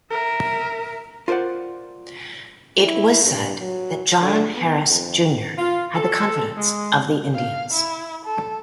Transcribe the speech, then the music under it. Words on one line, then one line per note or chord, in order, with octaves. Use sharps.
It was said that John Harris Junior had the confidence of the Indians.
A#4 E5
F4 A#4 C5 D5 F#5
E4
G2
F#3
D3
B3
F2
F4
A4
G#3
F5
E4
A4